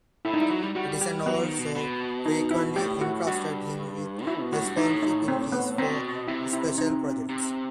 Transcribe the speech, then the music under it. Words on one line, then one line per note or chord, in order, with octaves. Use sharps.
Edison also frequently entrusted him with responsibility for special projects.
A2 E4
D#4
G3 E4
F#3
G3
G3 F#4
G4
F#3 B3
D#3
B2
B2
D#4
E4
A2 G4
F#4
G2 F#4
F#3 E4
B2
A2 F#4
G2
A2 D#4
D#4
C4
B3
B2 C4
C3 E4
E4
D#4
C3